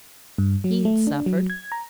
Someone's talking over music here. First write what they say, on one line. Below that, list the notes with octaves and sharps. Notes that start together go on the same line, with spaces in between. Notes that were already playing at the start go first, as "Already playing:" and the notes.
He had suffered.
G2
F#3
A3
D4
F#3
G#6
A#5